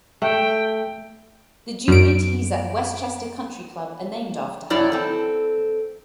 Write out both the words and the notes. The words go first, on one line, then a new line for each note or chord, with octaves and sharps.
The junior tees at Westchester Country Club are named after her.
A3 G5
F#2 D7
F#2 E4 C#5 D5
C4 A4